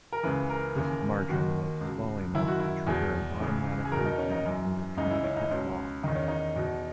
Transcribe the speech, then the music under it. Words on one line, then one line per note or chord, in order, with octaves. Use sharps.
This margin was small enough to trigger an automatic recount under Connecticut law.
A#4
C#2 C#3 E3 B4
A#4
D#2 C#3 E3
D#2 D#3 F#4
C#2 B2
F#2 D#3 E4
F#4
E4
E2 B2 G#4
C#2 C#3 E3
G#4
E2 B2 A#4
D#4
C#4
D#4
F#2 E3
C#2 C#3 E3 D#4
E4
C#4
D#4
C#2 B2 C#4
E2 D#3 D#4
C#4
D#4
E2 B2